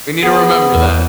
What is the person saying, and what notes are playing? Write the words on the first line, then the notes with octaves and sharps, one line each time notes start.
We need to remember that.
B3 G#4
E2